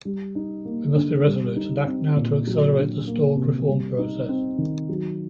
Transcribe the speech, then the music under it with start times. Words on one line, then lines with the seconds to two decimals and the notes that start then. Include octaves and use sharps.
We must be resolute and act now to accelerate the stalled reform process.
0.05 G3
0.35 D#4
0.65 A#3
0.96 D3
1.26 G3
1.56 D#4
1.86 C4
2.16 A#2
2.47 F#3
2.77 D4
3.07 A#3
3.37 C3
3.68 G3
3.98 D#4
4.29 C4
4.58 D#3
4.89 F#3